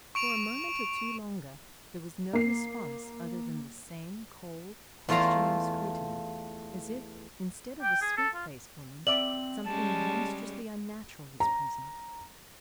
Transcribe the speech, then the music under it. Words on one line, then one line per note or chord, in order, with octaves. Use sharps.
For a moment or two longer there was no response other than the same cold, questioning scrutiny, as if, instead of a sweet-faced woman, something monstrously unnatural was present.
C#6 D7 F7
A#3 C7
E2 A3 F4 F5 A#5 C6
G5
G#4
A4
F4
C4 D5 E5 D6 F#7
G3 G#3 C#4 A5
A#5